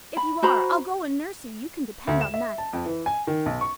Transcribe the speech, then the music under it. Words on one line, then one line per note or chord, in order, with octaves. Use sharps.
If you are I'll go and nurse you, you can depend on that.
B5
F#4 C5 A#5 B5
D2
E7
E5
A5
F2
E3
G#5
D#3
B1
C#6